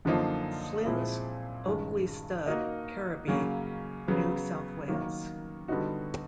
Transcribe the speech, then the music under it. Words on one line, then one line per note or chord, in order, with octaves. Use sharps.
Flynn's Oakleigh Stud, Kerrabee, New South Wales.
F#2 D3 F3 A#3 D#4
A#2 F3 G#3 C4 E4
G2 D#3 G#3 C#4
A#3 D#4 F#4 A#4 D#5
C#3 F#3 A#3 C#4
C#3 F#3 B3
D#3 F#3 A#3
D3 G3 B3 D#4 F#4